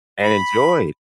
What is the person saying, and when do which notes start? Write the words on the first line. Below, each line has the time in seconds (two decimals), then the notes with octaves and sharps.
And enjoyed.
0.23 B5